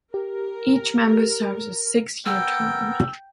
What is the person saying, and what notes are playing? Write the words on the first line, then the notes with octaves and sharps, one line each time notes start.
Each member serves a six-year term.
G4 A#4
B3 A#4 G5 E6